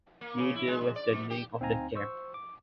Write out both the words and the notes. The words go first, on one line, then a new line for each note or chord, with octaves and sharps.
Yoder was the name of the camp.
A#3
C#3
E4
G#3
G#2
D5
B2
G4
D2 C4 D#4 F5 G#5 A#5
C5 C#6 E6
D6